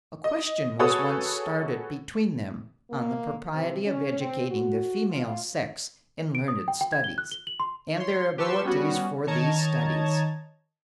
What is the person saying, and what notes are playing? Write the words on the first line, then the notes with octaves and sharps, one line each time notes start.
A question was once started between them, on the propriety of educating the female sex in learned studies, and their abilities for these studies.
D#5
F#4 G#4 A4 B4 C#5 D#6
A#3
C3
C#4
C4
F#4
F4
D7
D#6
G5
G5
G#6
G7
F#6
G7
F#7
C6
C#5 C6
G4 B4 A5 C6 C#6 E6
G3 B3 C#4 F#4
D#3 C#5 D#5 A5 A#5 G#6